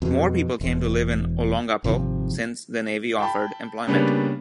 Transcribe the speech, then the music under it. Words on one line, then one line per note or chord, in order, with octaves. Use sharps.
More people came to live in Olongapo since the Navy offered employment.
F2 B2
E1
G#1 C3 F3
G5 A5 B5
C#3 G3 A#3 B3 C#4 D4